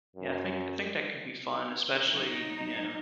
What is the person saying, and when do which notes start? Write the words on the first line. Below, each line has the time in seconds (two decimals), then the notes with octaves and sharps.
Yeah, I think I think that could be fun, especially, you know
0.16 F#2
2.09 F#3 D#4